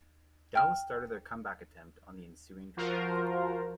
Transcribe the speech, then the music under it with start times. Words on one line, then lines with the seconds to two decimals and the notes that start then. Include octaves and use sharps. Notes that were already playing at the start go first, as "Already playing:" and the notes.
Dallas started their comeback attempt on the ensuing drive.
0.55 G5 F6
2.77 F3 F4 F#4 A#4 C5